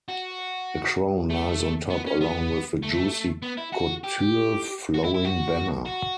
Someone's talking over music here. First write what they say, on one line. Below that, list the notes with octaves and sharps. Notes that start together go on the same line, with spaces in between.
A crown lies on top along with a Juicy Couture flowing banner.
F#4
A3
B3
C#4
B3
A3
B3
E4
F#4
G4
G4
F#4
E4
E4
F#4
F#4